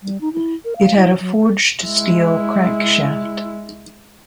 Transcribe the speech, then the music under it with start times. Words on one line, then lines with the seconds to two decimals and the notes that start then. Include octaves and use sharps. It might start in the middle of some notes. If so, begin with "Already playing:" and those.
It had a forged steel crankshaft.
0.03 G3
0.21 D#4
0.33 E4
0.65 A#4
0.76 F5
0.97 E4
1.20 F#3
1.83 G#3 E4